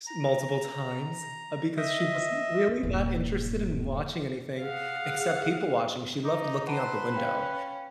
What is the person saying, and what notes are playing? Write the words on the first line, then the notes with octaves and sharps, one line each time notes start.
multiple times because she wasn't really that interested in watching anything except people watching, she loved looking out the window,
A#5
D#5 E5
D#1 G2
G#4 F5 F#5
D#4 D6
B4 C5 F#5 A5 A#5 C6
C#4 F5 G5 B5